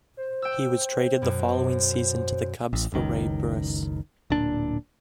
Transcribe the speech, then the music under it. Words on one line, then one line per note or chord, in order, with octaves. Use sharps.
He was traded the following season to the Cubs for Ray Burris.
C5
G5 E6
F#2 B2
A1
F#1 C#2 D#3
D1 A#2 D4